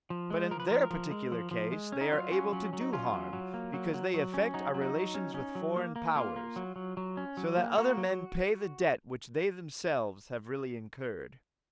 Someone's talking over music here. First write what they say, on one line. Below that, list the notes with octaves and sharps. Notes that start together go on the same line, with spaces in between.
But in their particular case they are able to do harm because they affect our relations with foreign powers, so that other men pay the debt which they themselves have really incurred.
F3
G#3
F3 A#4
B4
F3 A#4
F3
G#3
F3
F3
G#3
C#4
D#4
F#3 F4
C#4
F#3
F#3
D#4
C#4 F4
F#3
F#3
A#3
F#3
F#3
F#3
C#4
F#3 D#4
F#3
D#4
F#3
C#4
C#4
F#3
A#3
A#3
A#3 F4
A#3
F#3
F#3
F#3
C#4
F#3
A#3
A#3 F#4
F#3